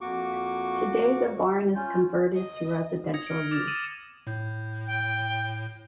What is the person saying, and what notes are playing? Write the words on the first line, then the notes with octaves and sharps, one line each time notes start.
Today the barn is converted to residential use.
F2 A#3 F#4 C#6 D6
C#4 F4 G6
D#5
D#6 G#6 A#6 C#7
F6 D7
D6 F6 A6 F7
E6 A6 D#7 E7 F#7
A2 G6
G5